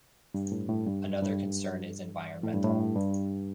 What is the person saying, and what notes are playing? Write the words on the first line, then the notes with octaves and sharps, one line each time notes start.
Another concern is environmental.
G2
A2
A2
G2
F#2
G2
A2
G2
A2
G2